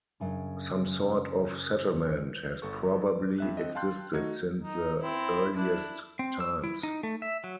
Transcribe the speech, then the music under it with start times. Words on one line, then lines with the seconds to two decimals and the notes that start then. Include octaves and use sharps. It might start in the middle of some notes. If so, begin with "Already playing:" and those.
Some sort of settlement has probably existed since the earliest times.
0.20 F#2 C#3 D4
2.62 G1 A4 C#6
3.06 D6
3.38 F2 E5 F#6
3.57 C4 A4 D#5
3.75 F5 G5 A5 C6 F#6 G6
4.13 A3 D#4 F#4 G#6
4.62 D#4
5.02 C4 E4
5.56 D4 E4
6.19 C4
6.40 E6
6.64 E4
6.83 D#4
7.03 A3
7.22 E5
7.44 F#3